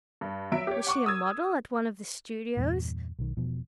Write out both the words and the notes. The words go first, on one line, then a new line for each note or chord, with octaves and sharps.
Was she a model at one of the studios?
G2
F#3 E5 D7
G4 C#5
F#5 C#6 D6
D#6 E6 G#6
E2 G2 A#2
B1 D#3
E1 B2 F3